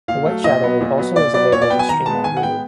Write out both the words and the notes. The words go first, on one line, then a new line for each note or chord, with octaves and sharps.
The White Shadow also is available to stream on Hulu.
A#2 F5
F#3 A3
A#2 D#5
F#3 B3
A#2
F#3 B3
A#2 D5
F#3 B3 D5
A#2 C#5
D5
F#3 B3 G5
G#5
D#3 A#5
G#3 B3 A5
D#3 G#5
F#5
G#3 B3 G5